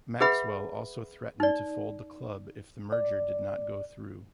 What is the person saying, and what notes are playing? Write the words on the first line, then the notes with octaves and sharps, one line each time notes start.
Maxwell also threatened to fold the club if the merger did not go through.
G#4 B4 E5 F#5 B5
D#4 D5
D5